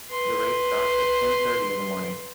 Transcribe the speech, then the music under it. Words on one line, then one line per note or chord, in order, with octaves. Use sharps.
The race starts at ten thirty in the morning.
B4 C6